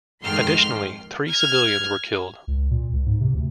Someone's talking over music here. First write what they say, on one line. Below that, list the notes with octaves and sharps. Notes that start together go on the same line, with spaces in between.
Additionally, three civilians were killed.
F2 G#2 D#3 G5 C6 F6
F6 G#6
C#2
A#2
C#2
G#2
C3
D2